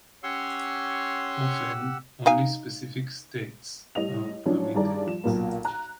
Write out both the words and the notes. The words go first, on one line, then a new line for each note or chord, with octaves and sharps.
Often, only specific states are permitted.
C#4 G4 C#5 F#5 C6 E6
D#4 F5 G#5
A2 G3 D#5 F7
F3 F#3 C#4 D4 E4 C#5
G2 D#3 E4 G#4 D5 A#5
F3 E7
B1 A#2 A#3
A#5 F#6